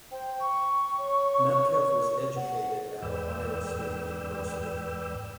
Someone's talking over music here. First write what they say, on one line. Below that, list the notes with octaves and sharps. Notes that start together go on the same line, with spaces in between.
Medkeff was educated at Ohio State University.
C5 G5
C#6
C#5
F#5
E2 G#2 B4 D5 G5 E6